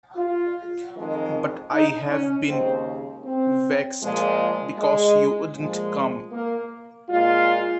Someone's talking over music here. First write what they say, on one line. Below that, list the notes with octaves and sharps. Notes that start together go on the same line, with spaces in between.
But I have been vexed, because you wouldn’t come.
F4
F2 D#3 G#3
D#4
C#4
D#2 C#3 G#3 C4
C4
A#2 F3 G#3
G#3
A#2 F3 G#3
A#3
A#2 G#3 F4